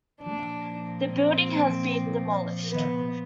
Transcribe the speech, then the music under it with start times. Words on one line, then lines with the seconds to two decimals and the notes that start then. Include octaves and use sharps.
The building has been demolished.
0.21 A#2 F3 A#3 D4
1.04 C4
2.71 B3